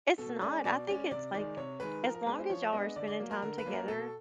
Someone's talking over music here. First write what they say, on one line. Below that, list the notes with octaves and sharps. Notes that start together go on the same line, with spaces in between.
It's not. I think it's like as long as y'all are spending time together
B2 A4
G#3 C#4 D5
B2 D5
G#3 C#4 D5
C3 D5
D#3 G#3 D5
C3 C#5
D#3 G#3 B4
F3 A#4
A#4
G#3 B3 D4 B4
C5
F3 C#5
G#3 B3 D4 D#5
D3 D5
D5
F#3 A#3
A#4
D3 A#4
B4
F#3 A#3
A#4
B2 A4